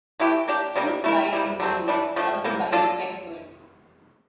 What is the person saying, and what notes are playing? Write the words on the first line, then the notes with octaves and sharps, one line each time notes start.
Wolf died in London, surrounded by his pet birds.
E3 A3 E4 G4
A#3 D4 G4
C3 G3 A#3
A3 E4 A#4
C3 G3 A#3 E4
D3 A3 C4
E3 G3 D4
D3 F3 A3
C3 E3 A#3
A#3 D4 F4 A4